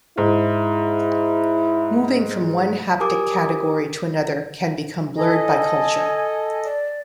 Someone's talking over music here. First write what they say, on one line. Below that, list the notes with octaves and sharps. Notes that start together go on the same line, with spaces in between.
Moving from one haptic category to another can become blurred by culture.
G#2 E4
G4 A#4 G#5 D6 D#6
A4 D#5 G#5
D5